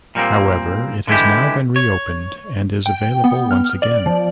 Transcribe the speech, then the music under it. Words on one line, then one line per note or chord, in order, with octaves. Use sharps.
However it has now been reopened and is available once again.
A#2 G3 A#3 C4
D3 E3 G#3 C4 E4 G4
C#5
G5
B3
F6
D5
F3